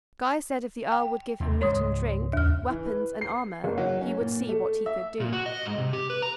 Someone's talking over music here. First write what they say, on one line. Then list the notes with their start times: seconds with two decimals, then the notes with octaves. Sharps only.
Guy said if the earl would give him meat and drink, weapons and armor, he would see what he could do.
0.92 G5
1.40 D#2 C3
1.62 C#2 G#2 G#3 C#5 D#6
2.33 D#2 F6
2.69 E3
2.86 B4
3.21 C7
3.64 F#1
3.78 F#3
4.01 C#4
4.21 A#2
4.49 A3
4.86 E5
5.20 A#2
5.33 F#4
5.46 D#5
5.66 G#2
5.78 C3
5.93 G4
6.10 B4
6.22 A#5